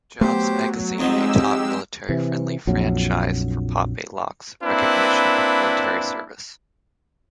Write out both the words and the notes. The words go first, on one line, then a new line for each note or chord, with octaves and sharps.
Jobs Magazine a top military friendly franchise for Pop-A-Lock's recognition of military service.
F#3 A3 B3 G4 C5
F2 F3 F#3 G#3 D#4 G4 E6
C3 E3
A#1 F2 F#3
A#3 C4 D4 E4 B4